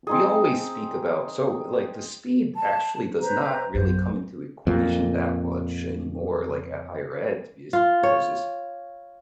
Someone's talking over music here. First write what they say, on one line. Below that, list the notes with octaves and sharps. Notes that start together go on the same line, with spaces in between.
we always speak about So, eh, like, the speed actually does not really come into equation that much anymore, like, at higher ed to be s because it's
C4 D#4 G#4
A5
B4 C5 A#5
A#1 F#2 C5
F2 A#2
F4
C#5